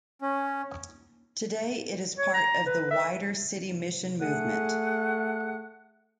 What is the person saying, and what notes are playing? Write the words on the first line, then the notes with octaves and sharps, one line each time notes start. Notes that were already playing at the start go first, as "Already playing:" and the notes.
Today it is part of the wider City Mission Movement.
C#4
C#5
A#5
B4
E5
A3 G#4 F#5 F#6